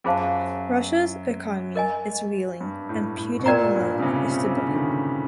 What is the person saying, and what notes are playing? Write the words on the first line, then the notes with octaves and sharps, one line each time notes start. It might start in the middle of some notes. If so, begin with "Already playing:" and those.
Russia’s economy is reeling and Putin alone is to blame.
F#2 F4 G#4 C5 F5 A5
A#4 D#5 G#5
G2
A2
A2
B2
A#2 A#4 D5 G5 A#5
G2
C#3
C3
C#3
C3
C#3
D3
D#3